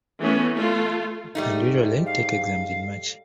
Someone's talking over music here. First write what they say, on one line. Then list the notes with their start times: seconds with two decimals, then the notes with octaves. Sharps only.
And usually take exams in March.
0.20 E3 A3 B3 C#4
0.58 A3 F4 A4
1.35 G#2 G3 A3 D#4
2.06 F5